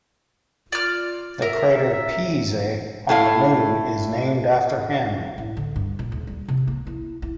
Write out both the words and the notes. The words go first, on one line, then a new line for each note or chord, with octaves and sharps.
The crater Pease on the Moon is named after him.
F4 D5 F6
A#4 E5
E5
A2 A3 F5
A2
D3
G2
A#2
D#1
G3
C3
A#3
E4
E4